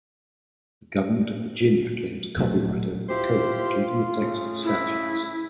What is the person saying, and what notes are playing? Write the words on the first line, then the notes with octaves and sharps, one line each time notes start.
The government of Virginia claims copyright over the Code, including the text of statutes.
D1 A#2 F#3 A3
E4 F4 G4 C5
C#3 A3
E4